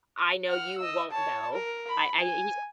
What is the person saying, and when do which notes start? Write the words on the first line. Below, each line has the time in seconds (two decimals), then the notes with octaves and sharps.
"I I know you won't go. I I" He's
0.47 F#5 F6
0.78 D#5 E6
1.11 C#5 A5
1.52 A#4
1.89 B5
2.19 G#5